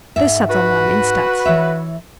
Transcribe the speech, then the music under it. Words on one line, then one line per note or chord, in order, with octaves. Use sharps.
They sat on them, instead.
G#2 E5
F#4 B4
E3 C#5 E5